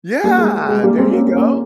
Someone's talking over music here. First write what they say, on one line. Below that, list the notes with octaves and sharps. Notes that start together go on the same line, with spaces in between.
Yeah, there you go.
G3 A#3
G#3
G#3
G3 A#3
G#3 C4
A#3 C#4
A#3 C#4